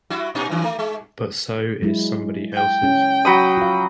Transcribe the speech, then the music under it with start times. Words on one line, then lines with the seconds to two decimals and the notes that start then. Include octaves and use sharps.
But so is somebody else's.
0.10 G3 E4 F#4
0.35 A#2 C#4 D#4
0.50 G2 D#3
0.64 A3
0.79 G#3
1.82 F#3 G#3 E4
2.54 G5
2.83 C#4
3.25 F#3 B5 D#6
3.57 F4 F5